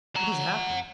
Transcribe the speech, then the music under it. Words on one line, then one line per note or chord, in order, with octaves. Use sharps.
What has happened?
F#5 A#5